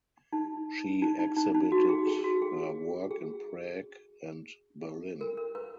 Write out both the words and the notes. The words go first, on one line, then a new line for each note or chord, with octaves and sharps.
She exhibited her work in Prague and Berlin.
D#4
D#4
D#4
D#4
D#4
F#4
G#4
G#4
F#4
G#4
G#4
A#4
A#4
B4